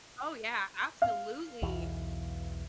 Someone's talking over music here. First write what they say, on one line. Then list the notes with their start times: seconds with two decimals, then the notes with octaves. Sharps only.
Oh, yeah, absolutely!
1.02 F5
1.62 B1 E2 E3